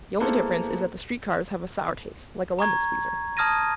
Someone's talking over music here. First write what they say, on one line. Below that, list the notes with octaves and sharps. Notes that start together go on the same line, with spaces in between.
The only difference is that the street cars have a sour taste like a lemon squeezer.
G#3 A#3 B3 E4 A4 C5
A#5 C#6 G#6
A5 D#6 F6 G#6 A#6 D#7